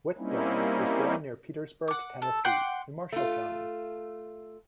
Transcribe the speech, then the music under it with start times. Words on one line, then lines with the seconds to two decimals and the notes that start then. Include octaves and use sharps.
Whitthorne was born near Petersburg, Tennessee in Marshall County.
0.18 G3 A#3 C4 C#4 D#4 E4
1.88 F#5 D6
2.22 A4
2.45 F#5 G5 C6 D6
3.12 A3 F4